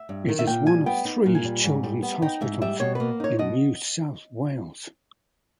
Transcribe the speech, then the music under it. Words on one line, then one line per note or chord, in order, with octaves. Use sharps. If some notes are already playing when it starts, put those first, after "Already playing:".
It is one of three children's hospitals in New South Wales.
Already playing: E5
G2
D#3
E5
A#2 G5
G3 G#5
B3 G5
D#4
A#2
G#5
G3
G#2
G3
B3
D#4 G5
G#2 E5
G3 E5
B2 C#5
A#3 B4
D#4 C#5
B2 D#5